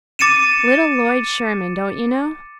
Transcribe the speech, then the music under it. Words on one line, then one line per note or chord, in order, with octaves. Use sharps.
Little Lloyd Sherman,--don't you know?
D6 A6 C#7 D#7 E7